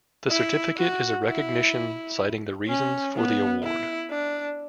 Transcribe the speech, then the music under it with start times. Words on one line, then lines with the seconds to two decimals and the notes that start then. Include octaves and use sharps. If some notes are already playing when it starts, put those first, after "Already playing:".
The certificate is a recognition citing the reasons for the award.
0.30 E4
0.77 F#4
1.25 E4
2.68 C#4
3.16 B3
3.64 E4
4.11 D4